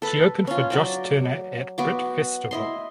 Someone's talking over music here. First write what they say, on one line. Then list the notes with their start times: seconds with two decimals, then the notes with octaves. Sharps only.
She opened for Josh Turner at Britt Festival.
0.02 A4 B4
0.47 C#4 F4
0.70 F#3 D5 G5
1.78 B3 F#4 D6
2.51 E4 D#5 C6